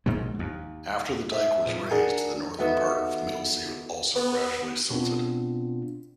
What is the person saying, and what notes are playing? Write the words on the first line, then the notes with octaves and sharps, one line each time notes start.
After the dike was raised, the northern part of the Middelsee also gradually silted.
A#1 G#2 B2 G#3
D#2
E5
C3 D#3 F3
D4 F#4 G#4 A#4
D#3 B3 F#4 A4 E5
B3
B2 B3 C4 D4 F4